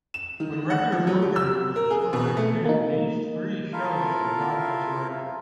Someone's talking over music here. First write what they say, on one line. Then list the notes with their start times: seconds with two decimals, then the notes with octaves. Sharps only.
When regular programming was restored in June, these three shows were not resurrected.
0.14 E7
0.40 D#3
0.70 F#5
0.92 F3
1.07 F#3
1.22 G4
1.36 E6
1.76 A#4
1.91 G#4
2.13 B2
2.37 A3
2.65 A#3 D#4
3.73 E4 F4 A4 A#4 E5 F5